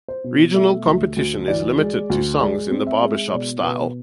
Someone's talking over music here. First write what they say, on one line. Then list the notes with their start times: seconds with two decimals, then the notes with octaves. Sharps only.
Regional competition is limited to songs in the barbershop style.
0.08 C5
0.24 B2
0.55 A3 E5
0.86 D2
1.16 D2
1.48 E3 D5
1.78 G#3
2.10 D2
2.40 G#3 D5
2.71 C4
2.87 E5
3.02 G#3
3.33 B2 D5
3.64 B2 B4